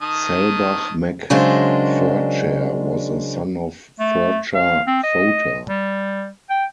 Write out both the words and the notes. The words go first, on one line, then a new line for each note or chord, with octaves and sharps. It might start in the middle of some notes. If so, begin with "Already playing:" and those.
Selbach mac Ferchair was a son of Ferchar Fota.
D#3 A5 D#6
C#3 F#3 G#3 D4 A#4 C5
A3
F5
C4
D#5
G3
G5